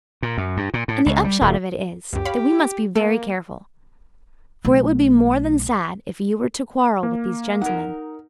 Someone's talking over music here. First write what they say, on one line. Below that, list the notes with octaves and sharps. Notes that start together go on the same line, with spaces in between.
And the upshot of it is, that we must be very careful; for it would be more than sad if you were to quarrel with these gentlemen.
A#2
F#2
G2
A#2
A2
C#2
G3
D#1
C#2 F#2 G4
C#5 F5 B5
A3 A#3 A4
B1 A3
A#3
D#4 A#4 F#5